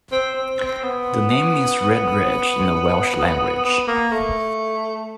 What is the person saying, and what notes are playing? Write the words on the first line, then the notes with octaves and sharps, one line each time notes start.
The name means 'red ridge' in the Welsh language.
C4
C4
C4
B3
B3
A#3
A3